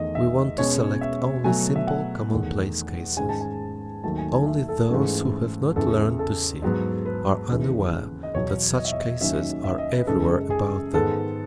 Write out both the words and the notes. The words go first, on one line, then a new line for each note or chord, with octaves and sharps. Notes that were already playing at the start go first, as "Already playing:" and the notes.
We want to select only simple commonplace cases. Only those who have not learned to see are unaware that such cases are everywhere about them.
Already playing: E2 D#3 A3 D#5
E5
B2 G#3 C#4 C#5
E5
B2 F#3 A3 G#5
E5
F#5
E2 D#3 A3
G#2 D#3 G#3 C#4 G#5
A5
G#5
D#2 D#3 F#3 A3 A5
G#5
G#5
E5
A4
G#2 E3 A3 C#4
E2 C#3 E3 A4
A4
G#2 F#3 B3
B4
D#2 C#3 E3
D#5
E2 B2 F#3 B3 C#5
D#5
E5
D#5
D#2 D#3 F#3 C#4 E5
E5
D#5
B4
F#2 C#3 G#3 A4
G#4
G#2 D#3 G#3 B3 A4